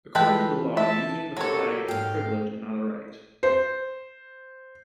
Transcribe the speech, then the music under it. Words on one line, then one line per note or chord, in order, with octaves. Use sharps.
According to the law, using the flag is a privilege and not a right.
E3 F4 A4 B4 G5
E5 A5
F#3 A#3 E4 G4 A4 C#5
G#2 F5 G5
C5